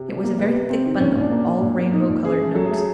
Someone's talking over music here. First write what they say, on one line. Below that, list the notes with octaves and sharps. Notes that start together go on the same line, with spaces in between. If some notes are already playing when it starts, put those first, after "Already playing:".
It was a very thick bundle, all rainbow-colored notes.
Already playing: C3
G3
G3 A#3
C3 B3
C3
C3 C4
D#3
C4
A#2 C#4
C#4
A#2
D4
A#3
A#3
A#2
A#3
A#3 D#4
A#2
C#3 G#4
A3
F#3 A4
G#4
A3
G#4